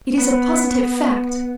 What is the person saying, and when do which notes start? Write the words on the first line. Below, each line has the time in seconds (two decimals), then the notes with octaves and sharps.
It is a positive fact!
0.18 B3